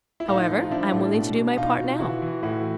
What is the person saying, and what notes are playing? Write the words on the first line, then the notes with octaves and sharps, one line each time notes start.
However, I am willing to do my part now.
E4
A2 D#4 F4
F3
F4
F3 D4 E4
A2
B2
B2
B2 D#4 F4
B2
E3 E4 F#4
E3
A2 E4 F#4